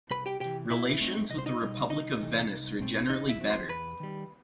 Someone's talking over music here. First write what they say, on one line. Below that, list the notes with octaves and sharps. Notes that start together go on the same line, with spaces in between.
Relations with the Republic of Venice were generally better.
C2 B4 B5
G4 G5
C3 E3 G4 G5
B2 E4 E5
A3 C4 D#4
C2 D#5
C5
D#4 D#5
B2 G3 D#4
C2 D#4 D#5
C3 E3 A3
C2
B2 A3 C4
D#2 D#4 D#5
E4 E5
D#3 F#3 C4
C5 C6
E2 B4 B5
D#3 G3